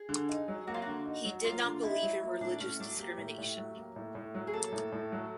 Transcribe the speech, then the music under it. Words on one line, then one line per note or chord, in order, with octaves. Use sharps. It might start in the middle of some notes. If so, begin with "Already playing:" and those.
He did not believe in religious discrimination.
Already playing: G#4
D3
D#4
F#3
A#3 F#4
F4
D3 F#4
D#4
F#3
A#3 F4
D3
D#4 E4
F#3
A#3
A2 D4
A2 C#4
F#3 D4
A#3 G4
A2
A2
F#3
A#3
A2
A2
F#3
G#4
A#3 A4
A2
A2
F#3